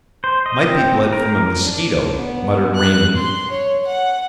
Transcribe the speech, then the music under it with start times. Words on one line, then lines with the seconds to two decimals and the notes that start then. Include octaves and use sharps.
"Might be blood from a mosquito," muttered Raymond.
0.24 C5
0.46 D#5
0.68 C4
1.13 A#4
1.64 D4
2.15 B3
2.75 F#6
3.16 C6
3.50 C#5
3.87 F#5